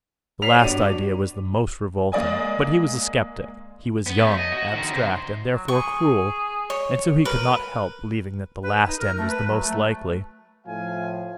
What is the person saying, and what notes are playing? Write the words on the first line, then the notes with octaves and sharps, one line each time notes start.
The last idea was the most revolting, but he was a sceptic, he was young, abstract, and therefore cruel, and so he could not help believing that the last end was the most likely.
C#5 B6 C7 F7
G1 D4 F#4 D#7
G#3 A#3 D5 D#5 G#5
B3
A3 C#4
D#5
F#4
D3 D#3
C3 C5
F#3
G#4 C#6
C#5
A#4 B4
B4
D#4
A#4
A3
B4
F#3
A3
A2 F3 F5 G#5